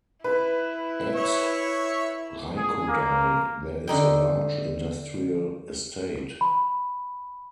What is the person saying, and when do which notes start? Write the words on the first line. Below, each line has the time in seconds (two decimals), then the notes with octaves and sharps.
At Raikodai there is a large industrial estate.
0.24 E4 B4
1.16 C#5 E5 C#6
2.57 G#4
2.88 A#3
3.87 D3 D#4 G5
6.41 B5